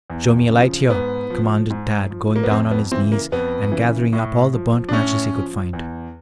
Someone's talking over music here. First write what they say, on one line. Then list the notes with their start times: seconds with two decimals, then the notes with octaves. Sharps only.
"Show me a light here," commanded Tad going down on his knees and gathering up all the burnt matches he could find.
0.10 E2
0.49 C#3 F3
0.90 G#2 B3
1.30 F3
1.70 G#2
2.11 F3
2.36 A#3
2.44 B3
2.51 F2 C4
2.71 B3
2.92 C#3 E3 C4
3.12 A#3
3.32 F2 B3
3.72 C#3 E3
4.13 A2
4.53 F3
4.89 D4
4.93 A2 C#4
5.34 F3
5.73 E2